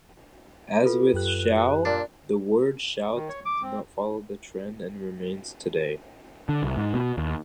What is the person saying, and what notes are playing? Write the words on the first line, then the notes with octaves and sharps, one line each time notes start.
As with "shall", the word "shalt" did not follow the trend and remains today.
F4 A4 B4
F#2 G4 F#6
A#2 D4
D#3
C#5
D6
C4
D3
C2
G#2
B2
D#2